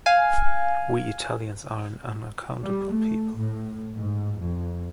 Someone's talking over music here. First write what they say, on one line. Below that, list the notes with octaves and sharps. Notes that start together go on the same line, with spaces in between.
We Italians are an unaccountable people.
F5 G#5
G3
A3
A2
G#2
F2